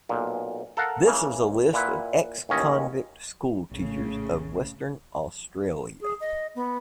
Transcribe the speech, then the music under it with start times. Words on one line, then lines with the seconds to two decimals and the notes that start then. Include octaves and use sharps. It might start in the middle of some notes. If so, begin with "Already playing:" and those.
This is a list of ex-convict school teachers of Western Australia.
0.09 B1 A#2
0.77 A4 A#4 F5 F#5
1.06 C#3 E3 A#3
1.73 A#2 E4 B4 F#5
2.49 A1 D#2 C#4 D#5
3.71 A#1 A2 C#3
6.01 G#4
6.20 D#5
6.55 B3